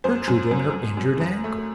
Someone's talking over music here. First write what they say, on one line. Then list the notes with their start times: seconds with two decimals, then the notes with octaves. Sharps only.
Gertrude and her injured ankle!
0.04 F#2 C5
0.27 F#2
0.51 F#2
0.73 F#2
0.97 F#2
1.20 F#2
1.44 A3